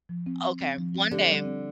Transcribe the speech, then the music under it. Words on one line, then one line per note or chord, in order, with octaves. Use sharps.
Okay, one day,
F3
C4
C4
C4
F3
C4
D3 G4
G3
C4